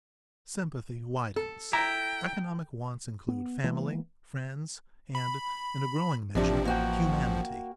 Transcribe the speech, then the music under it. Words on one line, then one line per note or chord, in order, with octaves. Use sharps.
Sympathy widens; economic wants include family, friends, and, in a growing measure, humanity.
A4
E4 G5 A#5
B3
E3 G#3 A#3 B3
B5
A1 C3 F3 D4
A#3 F#4 G5